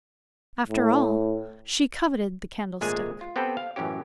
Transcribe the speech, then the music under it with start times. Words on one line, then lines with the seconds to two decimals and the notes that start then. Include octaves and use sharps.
After all, she coveted the candlestick.
0.69 A2
2.81 G#1 A#2 G#3 A3 G#4 G#5
3.21 F4
3.36 B3 C4 G4 A4 B4 G5
3.57 F5
3.76 A1 F#2 E3 C#4 G4